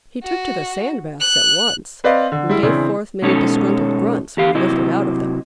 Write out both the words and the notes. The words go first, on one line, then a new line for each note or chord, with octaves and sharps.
He took to the sand baths at once, and gave forth many disgruntled grunts when lifted out of them.
F#4
F#6
C4 B4 D5 D#5 F5
D3
G3 G#3 E4
C#3 E3 C4 D4 E4
B2 G#3 C#4 D#4 A4 C#5
E2 G4 F5
C3 F#3 E4 D#5